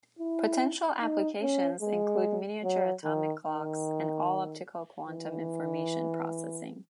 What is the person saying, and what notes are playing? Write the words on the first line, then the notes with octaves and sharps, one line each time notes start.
Potential applications include miniature atomic clocks, and all-optical quantum information processing.
E4
D#4
C#4
G#3
F#3
D#3
D#3
E3